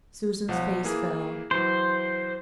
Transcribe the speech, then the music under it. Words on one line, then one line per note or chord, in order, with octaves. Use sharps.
Susan's face fell.
B1 F3 F#5
E3 A#3 G#4
E3 F#3 C5